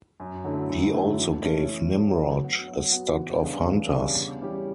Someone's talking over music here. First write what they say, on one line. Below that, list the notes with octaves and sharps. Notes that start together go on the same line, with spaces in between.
He also gave Nimrod a stud of hunters.
F#2
D3 F#3 A3 E4
F#2
D3 F#3 A3 E4
E3
A3 C#4
E3
A3 C#4
F#3
B3 F#4
F#3
B3 F#4
E2
C#3 G3 B3 D4
E2
C#3 G3 B3 D4
C#3
E3 G3 C#4 G4